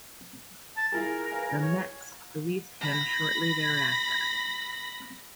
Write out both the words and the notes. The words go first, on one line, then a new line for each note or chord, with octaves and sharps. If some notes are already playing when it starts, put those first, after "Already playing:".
The Mets released him shortly thereafter.
A5
E4 F4 G#4 A#4
B4 F5 G#5
C#5
B5 A#6